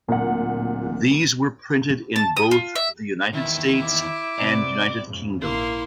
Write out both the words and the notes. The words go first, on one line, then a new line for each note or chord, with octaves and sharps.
These were printed in both the United States and United Kingdom.
D1 A#2 F#5
A5
D#6
F4
E5
E2 D#3 E4
D6
C3 B3 C4 D5
F2 G#2 C#3
A#1 A#3 E4 C6